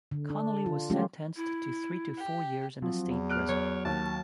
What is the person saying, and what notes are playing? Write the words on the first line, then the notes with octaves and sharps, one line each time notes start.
Connolly was sentenced to three to four years in the State Prison.
D3
D4
F4
F3 G#3 A3 C#4 F4 G4
E4
G4
F3 F#3 C4
E2
F6 F#6 D7
F#3 C#5
D#2 A5